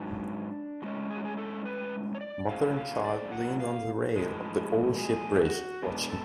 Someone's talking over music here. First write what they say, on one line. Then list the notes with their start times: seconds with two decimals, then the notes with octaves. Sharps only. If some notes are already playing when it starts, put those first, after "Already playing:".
Mother and child leaned on the rail of the old sheep-bridge, watching.
Already playing: G#2 F#3 C#4 D4
0.82 A2 G#3 C#4 F#4
1.10 G#4
1.17 F#4
1.25 G#4
1.37 A4
1.65 B4
2.15 C#5
2.21 D5
2.48 A2 F#3 C#4 F5
2.77 F5
3.04 D5
3.32 F#5
3.60 F5
4.16 A2 F3 G#3
4.99 G#4
5.41 F#4
5.82 B2 G#3 B3 D4
6.10 A4